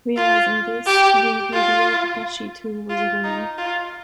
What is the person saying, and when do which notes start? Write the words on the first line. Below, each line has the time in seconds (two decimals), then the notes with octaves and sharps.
Realising this, Read revealed that she too was a woman.
0.17 F4
0.86 G4
1.53 F4
2.90 F4
3.24 D#4
3.58 F4